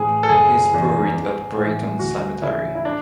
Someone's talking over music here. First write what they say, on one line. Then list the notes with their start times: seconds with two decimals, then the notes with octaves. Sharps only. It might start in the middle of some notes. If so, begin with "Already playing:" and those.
He is buried at Brayton Cemetery.
Already playing: A1 A2 E3 G#4
0.23 A4
0.29 F#1 G#4
0.72 E2 C#3 E3
1.14 A1
1.57 A2 E3
1.99 D2 F#4
2.42 C#3 E3 E4
2.75 E4
2.85 D4